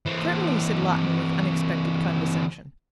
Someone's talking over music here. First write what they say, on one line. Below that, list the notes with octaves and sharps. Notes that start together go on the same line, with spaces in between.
"Certainly," said Lawton, with unexpected condescension.
E3 C4